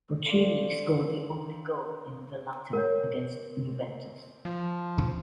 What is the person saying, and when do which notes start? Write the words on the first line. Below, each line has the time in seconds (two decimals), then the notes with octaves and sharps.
Bochini scored the only goal in the latter against Juventus.
0.25 D3 C5 F5 D6
2.73 A#4 C#5
4.45 F3